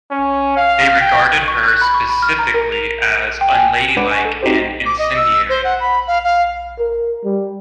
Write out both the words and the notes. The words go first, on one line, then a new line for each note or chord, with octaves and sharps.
They regarded her specifically as unladylike and incendiary.
C#4
F5
G5
C#6
F#6
B5
C#6
B5
F6
A#5
A#4
F7
D7
G5
G#5
G#3 D4 B4 F#5 D6
G#5 C#6
A4
C4 D#4 F#4 G4 C5
D6
D#5
E6
C5
F#5
B5
F5
F5
A#4
G3